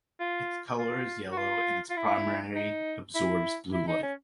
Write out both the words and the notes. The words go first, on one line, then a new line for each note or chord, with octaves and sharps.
Its color is yellow, and it primarily absorbs blue light.
F4
F4
F#4
F4
F4
E4
D#4
E4
E4
D#4
C#4